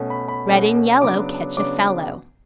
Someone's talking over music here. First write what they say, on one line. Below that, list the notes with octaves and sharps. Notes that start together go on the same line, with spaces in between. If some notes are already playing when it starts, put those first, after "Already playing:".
Red and yellow, catch a fellow.
Already playing: B2 A3 C#4
B5
B5
B2 A3 C#4
C#3 F#3 B3 D4 D6
C#3 F#3 B3 D4 D6